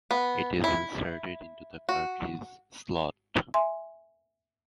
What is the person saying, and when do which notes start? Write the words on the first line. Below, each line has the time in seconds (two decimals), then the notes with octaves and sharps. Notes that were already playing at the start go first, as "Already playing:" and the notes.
It is inserted into the Cartridge Slot.
0.11 B3
0.64 E4
1.89 F#4
3.54 E5 G#5 C6